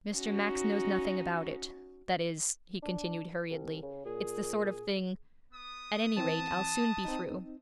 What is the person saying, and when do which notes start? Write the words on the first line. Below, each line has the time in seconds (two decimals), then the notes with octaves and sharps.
'Mr. Max knows nothing about it--that is,' he continued hurriedly, 'it's the sort of thing-- At any rate, I'll soon be through.'
0.13 C#4 D#4 F#4
2.83 D4
3.50 C2
3.83 C#3
4.06 A#2 G#4
5.52 B3 D#6
6.17 E3 C4 A5
7.05 C4 D#4